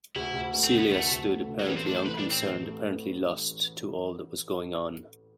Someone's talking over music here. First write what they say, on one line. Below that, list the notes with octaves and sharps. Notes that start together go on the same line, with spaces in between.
Celia stood apparently unconcerned, apparently lost to all that was going on.
D2 E4
D2
A3
C4
D3 B3
D2 A3
D2
A3
D3
F#3
A1 G3
C4
A3 D4
C5
E3 B4
D4
A2
C4
A1
A3